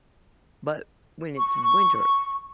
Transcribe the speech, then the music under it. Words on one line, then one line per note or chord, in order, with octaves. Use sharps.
but, when it's winter,
C#6